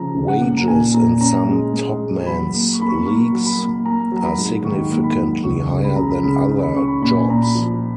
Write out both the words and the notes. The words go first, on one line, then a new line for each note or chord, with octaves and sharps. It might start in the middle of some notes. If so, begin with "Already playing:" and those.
Wages in some top men's leagues are significantly higher than other jobs.
Already playing: C#3 F3 A#5
C#3
F#5
A#3
A#5
A#2 G#5
A#2 A#5
C#4 A#5
G#3
G#3
G#3
F#3 B5
A#3
C#6
A#3 B5
C#6
A#3 C#6
F#3
B5
A#3
A#3 A#5
F#3 A#5
B5
G#2
D#3 C#6
A#3
B5
F#3
C#2 C#6
C#3
B5
C#3 A#5
B5
C#3 B5
C#4
B5
C#4 C#6
B5
A#2 B5
G#5
A#2 A#5
B5
F3